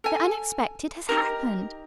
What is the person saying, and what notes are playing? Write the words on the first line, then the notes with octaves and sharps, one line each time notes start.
"The unexpected has happened!"
A4 G#5
D#4 G4 A#4